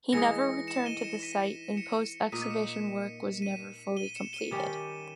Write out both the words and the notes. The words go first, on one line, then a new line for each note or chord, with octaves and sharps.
He never returned to the site and post-excavation work was never fully completed.
E3 G#3 D#4 A#6 C#7
C#7 E7
D#7 G7
C#7 E7
B6 D#7
C#7 E7
A#2 A#3 D#4 B6 D#7
C#7 E7
C#7 E7
B6 D#7
D#7 G7
C#7 E7
D#7 G7
D#3 G3 C#4 G4